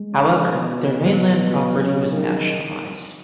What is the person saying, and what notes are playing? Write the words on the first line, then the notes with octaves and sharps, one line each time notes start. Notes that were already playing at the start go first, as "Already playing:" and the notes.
However, their mainland property was nationalized.
Already playing: G#3
C#3
B2
G#3
F#3
C#3
D#3